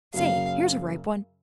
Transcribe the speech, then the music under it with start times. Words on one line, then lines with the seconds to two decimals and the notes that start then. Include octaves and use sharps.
Say--here's a ripe one.
0.14 F#2 C#3 F#3 A#3 F5